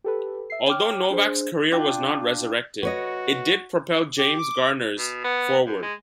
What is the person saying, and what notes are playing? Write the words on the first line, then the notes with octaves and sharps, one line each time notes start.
Although Novak's career was not resurrected, it did propel James Garner's forward.
G4 A4 B4
E5 C7
C#5 G5 D6 F6
D4 G#4 C5
D4 F4 G5
F#4 B4 C#5 D#5
G4
D6
B2
B3
F#2
G#3